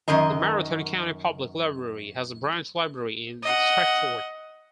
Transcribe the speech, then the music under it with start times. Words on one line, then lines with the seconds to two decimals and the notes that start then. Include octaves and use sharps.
The Marathon County Public Library has a branch library in Stratford.
0.08 F#2 D#3 A#4 D#5 A#5
3.43 D#5 F#5